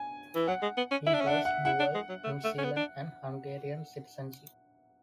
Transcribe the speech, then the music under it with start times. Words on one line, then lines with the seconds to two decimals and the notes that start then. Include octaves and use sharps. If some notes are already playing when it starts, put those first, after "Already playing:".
He holds dual New Zealand and Hungarian citizenship.
Already playing: G#5
0.35 E3
0.48 F#3 F#5
0.62 G#3
0.77 B3
0.91 C#4
1.07 E4 E5
1.14 D4
1.21 C#4
1.26 D4 F#5
1.45 F#5
1.65 E4 F#5
1.79 D4
1.95 G#3
2.09 F#3
2.24 A3
2.44 A3
2.58 C#4
2.64 B3
2.76 D4